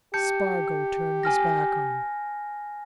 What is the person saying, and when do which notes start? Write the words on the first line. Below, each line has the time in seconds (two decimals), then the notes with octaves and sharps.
Spargo turned his back on him.
0.14 G4 A5 G6 C#7
1.23 G#5 F6 A#6